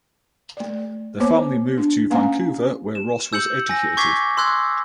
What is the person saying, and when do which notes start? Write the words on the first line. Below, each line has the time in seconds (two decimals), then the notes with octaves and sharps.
The family moved to Vancouver where Ross was educated.
0.57 A3 D5
1.20 A#3 B3 C5 C#5 D6
1.78 D4
2.10 A#3 C#4 F5 F#5 G#5 A#5
2.95 E7
3.33 E6 G6 C#7 F#7
3.69 G#5 E6 A#6
3.97 C#6 D6 G#6 B6 C7
4.37 C6 E6 F#6 G#6